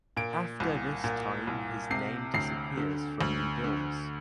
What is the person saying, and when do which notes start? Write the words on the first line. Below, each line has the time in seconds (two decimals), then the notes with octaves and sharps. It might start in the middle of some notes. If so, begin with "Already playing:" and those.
After this time his name disappears from the bills.
0.17 A#2 D7
0.60 C2
1.04 A#2
1.47 C2
1.90 C3 C7
2.34 D2 C7
2.77 D3
3.21 D2
3.64 D3